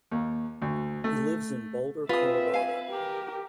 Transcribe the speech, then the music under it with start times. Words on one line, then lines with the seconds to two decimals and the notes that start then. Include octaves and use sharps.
He lives in Boulder, Colorado.
0.12 D#2
0.62 D2
1.04 A3
2.09 C4 F4 G#4 B4 E5 D#6
2.54 F5 G#5
2.90 G4 A#4